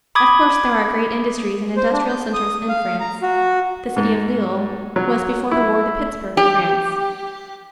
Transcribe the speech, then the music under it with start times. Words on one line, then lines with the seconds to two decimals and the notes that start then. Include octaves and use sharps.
Of course, there are great industries and industrial centers in France. The city of Lille was, before the war, the Pittsburg of France.
0.15 B5 D6 D#6 G#6
1.77 C5
1.92 D4
2.08 G6
2.34 D#6
2.69 F5
3.00 A#5
3.22 F#4
3.97 G#2
4.96 F#3
5.51 E4
6.37 G4